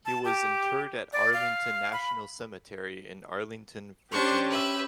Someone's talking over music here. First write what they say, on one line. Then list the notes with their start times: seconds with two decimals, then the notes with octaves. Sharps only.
He was interred at Arlington National Cemetery in Arlington, Virginia.
0.05 A5
0.25 G4
1.13 D5
1.33 F5
1.93 B5
4.12 C#4 D4 G4 C5 C#6
4.49 B4 E5